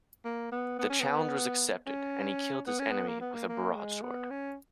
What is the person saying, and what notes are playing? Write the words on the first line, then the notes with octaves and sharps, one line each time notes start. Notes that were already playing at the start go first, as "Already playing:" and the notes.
The challenge was accepted, and he killed his enemy with a broad sword.
A#3
B3
B3
C#4
B3
C#4
B3
C#4
B3
A#3
B3
A#3
A#3
G#3
B3
C#4